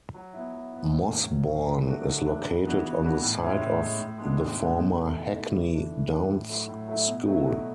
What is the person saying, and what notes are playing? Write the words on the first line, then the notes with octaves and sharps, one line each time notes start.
Mossbourne is located on the site of the former Hackney Downs School.
F#3
B3 E4
F#3
B3 E4
A2
F#3 C#4
A2
F#3 C#4
F#3
A3 D4 F#4
F#3
A3 D4 F#4
C#3
E3 B3 D4 F#4
C#3
E3 B3 D4 F#4
A2
G#3 C#4 E4
A2
G#3 C#4 E4
A2
G#3 B3 D4
A2
G#3 B3 D4
B2
A3 E4
B2
A3 E4
E3
A3 D4
E3
A3 D4
A2
F#3 A3 E4
A2
F#3 A3 E4
B2
F#3 A3 E4
B2